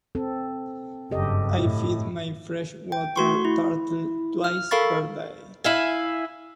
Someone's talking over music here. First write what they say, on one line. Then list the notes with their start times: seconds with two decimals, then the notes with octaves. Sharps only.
I feed my fresh water turtle twice per day.
0.15 C4 A4
1.11 F#1 G2 G4 A4 D#5
1.58 A2 E4
2.92 G5
3.16 A3 F#4 C6 C#6
3.45 E4
4.44 F6
4.71 A4 A#4 F5 B5 C#6 A6
5.64 E4 E5 F5 G#5